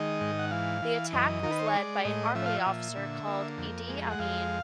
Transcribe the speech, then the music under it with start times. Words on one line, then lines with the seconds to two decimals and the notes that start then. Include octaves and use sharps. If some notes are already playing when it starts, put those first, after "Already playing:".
The attack was led by an army officer called Idi Amin.
Already playing: D#3 G#3 D#5
0.21 G#2
0.39 F#5
0.51 E3 F5
0.82 E3
1.13 F#2 D#5
1.43 D#3 A#4
1.51 B4
1.59 C5
1.66 C#5
1.74 G#3 D5
2.05 A2 D#5
2.35 F3 E5
2.46 F5
2.56 E5
2.66 A#2
2.97 D3
3.27 A#3
3.58 F2
3.89 G#3
4.11 F#5
4.19 F2 F5